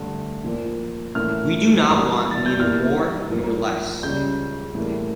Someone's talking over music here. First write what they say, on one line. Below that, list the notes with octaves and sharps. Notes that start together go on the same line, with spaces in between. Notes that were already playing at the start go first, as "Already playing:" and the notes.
We do not want neither more nor less.
Already playing: G2 D3 A3
A#2 F3 A#3
A2 E3 A#3 F6
G2 E3 G3 A#3
A6
G6
G2 E3 G3 A#3 F6
G2 F3 A#3
C#2 C#3 G3 G6
A2 E3 G3 A#3